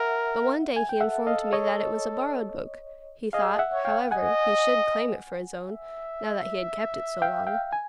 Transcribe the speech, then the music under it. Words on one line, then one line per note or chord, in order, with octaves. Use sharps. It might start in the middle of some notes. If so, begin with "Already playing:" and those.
But one day he informed me that it was a borrowed book; he thought, however, he should claim it for his own, now that he had kept it so long.
Already playing: A#4 E5 F#5
G#5
G5
A4 E5 F#5
D#5 F5
C#5 D#5
G#4 D#5 F5
E5 F#5
C#5
F5 G5
D#5 F#5 G#5
E5
F5 G5
F5 G5
G#5